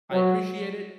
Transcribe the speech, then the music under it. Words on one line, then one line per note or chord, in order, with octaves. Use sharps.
I appreciate it,
F#3